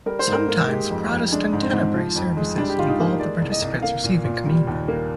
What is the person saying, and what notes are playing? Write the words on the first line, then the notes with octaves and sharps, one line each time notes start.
Sometimes Protestant Tenebrae services involve the participants receiving Communion.
G3 A#4
C5
G#2
A#4
A#3
G#3 G4
F2
F2
G#3 D4
G#2
C4
G#2
F3
F2
G#3
G3 D4
G4
G#2 F4
D#4
A#3
G#3 D5
C2
D#5
C2
A#3 F5
A#2
A#2
G3
D#2
A#3